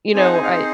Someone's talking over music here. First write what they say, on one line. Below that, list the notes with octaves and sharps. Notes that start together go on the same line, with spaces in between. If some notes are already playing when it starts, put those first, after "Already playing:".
you know, I,
C4 D#4 G#4 G#5
F#5
G#5
F5
C5